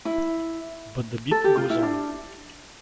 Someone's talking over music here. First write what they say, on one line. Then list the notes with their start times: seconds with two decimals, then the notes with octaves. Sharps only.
But the Beat Goes On.
0.05 E4
1.31 A4
1.44 G4
1.57 F4
1.70 E4
1.82 D4